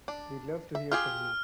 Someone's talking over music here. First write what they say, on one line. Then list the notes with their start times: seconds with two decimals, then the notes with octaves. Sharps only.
We’d love to hear from you.
0.08 D4
0.75 E5
0.92 F4 G4 G#4 F6